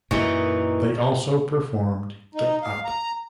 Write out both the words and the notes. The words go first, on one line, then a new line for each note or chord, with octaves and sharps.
They also performed Get Up!
F#2 A#2 E3 D#4 C#6
D#4
F5
A#5